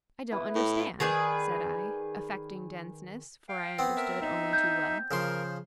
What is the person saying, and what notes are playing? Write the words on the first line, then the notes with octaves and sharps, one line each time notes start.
"I don't understand," said I, affecting denseness, for I understood only too well.
B3 E4 B4
A2
D#3 G#4 B4 D5
F5 G5
B3 C4
A#4 E5
D#4 E5
G6
C#3 F3 A#4 C6